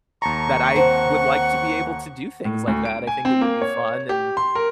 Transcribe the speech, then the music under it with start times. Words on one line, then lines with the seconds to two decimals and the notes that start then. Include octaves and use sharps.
that I would like to be able to do things like that. I think it would be fun, and,
0.22 D#2 A5 A#5 C#6
0.76 C4 F#5
2.45 A2
2.68 D2
2.85 D7
3.07 G#5
3.25 C4
3.41 A#3
3.62 C#5
4.09 G4
4.37 C6
4.55 A#4